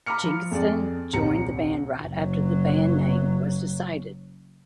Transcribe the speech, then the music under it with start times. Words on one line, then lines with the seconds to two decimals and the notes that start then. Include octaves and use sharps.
Jenkinson joined the band right after the band name was decided.
0.06 A#5 B5 D6 F6 C#7
0.23 F3
0.51 F2 G#4 D5
1.13 D#1 C2 A#5 C#7
2.05 F#1 F#3